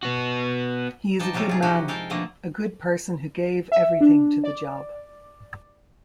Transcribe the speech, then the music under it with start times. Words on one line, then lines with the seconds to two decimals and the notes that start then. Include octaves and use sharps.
He is a good man; a good person who gave everything to the job.
0.03 B3 F#4
1.19 F3 D#4 D5 G5 A5
1.33 C3 F#3 G3 F4 A4 A#4
1.49 F4 G#4
1.62 F3 D#4 E4 F#4 G4
1.88 G#3 A4 A#4 F5 G5
2.10 B2 D3 F3 A3 A#3 D#5
3.72 E5
4.01 D4
4.44 D5